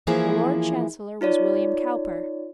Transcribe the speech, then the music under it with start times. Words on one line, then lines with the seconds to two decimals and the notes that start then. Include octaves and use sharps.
The Lord Chancellor was William Cowper.
0.07 E3 F3 A#3 E4 G#4
1.21 D#4 F4 C#5 D5